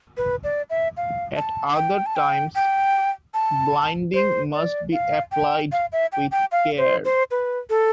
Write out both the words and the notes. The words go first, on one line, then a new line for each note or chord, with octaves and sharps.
At other times, blinding must be applied with care.
B4
D5
E5
F5
A5
G5
A5
G5
G5
A5
C5
D5
F5
G5
F5
E5
G5
G5
F5
C5
C5
B4
A4